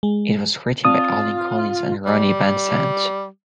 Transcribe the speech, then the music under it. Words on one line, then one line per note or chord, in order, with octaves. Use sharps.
It was written by Allen Collins and Ronnie Van Zant.
G#3
C4 F4 D5 A5 D#6
G3